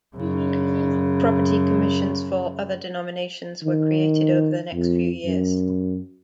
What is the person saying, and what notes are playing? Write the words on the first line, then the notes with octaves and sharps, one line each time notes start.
Property commissions for other denominations were created over the next few years.
F#2 C#3
D#3
F2
F#2